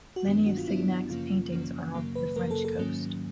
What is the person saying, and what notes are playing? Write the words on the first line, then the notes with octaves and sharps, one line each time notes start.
Many of Signac's paintings are of the French coast.
F#4
G2 D#3 F#3 B3 D4 G4
F#4
F4
G2 D#3 F#3 B3 D4 E4
E4
F#2 C#3 F3 A#3 C#4 F4
F#2 C#3 F3 A#3 C#4
F#2 C#3 F#3 A#3
B4
F#2 C#3 F#3 A#3 A#4
A4
A4
G#2 D#3 F#3 A#3 C#4